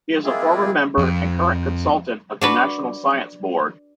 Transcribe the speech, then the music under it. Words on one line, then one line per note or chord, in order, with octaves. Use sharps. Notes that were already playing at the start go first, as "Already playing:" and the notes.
He is a former member and current consultant of the National Science Board.
G#3 A#3 C4 E4 F4 G#4
F2
D4 F#4 B4